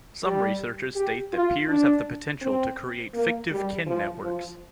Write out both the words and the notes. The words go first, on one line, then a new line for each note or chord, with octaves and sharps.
Some researchers state that peers have the potential to create fictive kin networks.
G3
G4
F4
D4
C4
A#3
G3
F3
F3